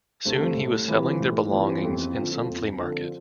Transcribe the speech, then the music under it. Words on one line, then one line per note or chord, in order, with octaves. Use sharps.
Soon he was selling their belongings in some flea market.
G2 D3 A3 C4
A2
E3 G3 C4 F4
A2
E3 G3 C4 F4
F2
D3 F3 C4
F2
D3 F3 C4